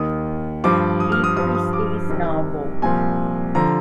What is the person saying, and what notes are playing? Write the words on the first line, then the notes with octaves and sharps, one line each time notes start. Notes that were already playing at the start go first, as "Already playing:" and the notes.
B. Priestley's novel.
Already playing: D#2 D#3 D#6
G2 F3 D6
D#6
F6
D#6
G2 F3 D#6
D#6
D6
C2 C3 D#3
C2 A#2 F3 G#5
D3 F3 A#5